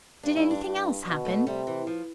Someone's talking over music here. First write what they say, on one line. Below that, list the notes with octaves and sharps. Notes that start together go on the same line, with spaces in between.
"Did anything else happen?"
G2 D4
E4
D4
G2
B2
A3
C3 G3
E3
F3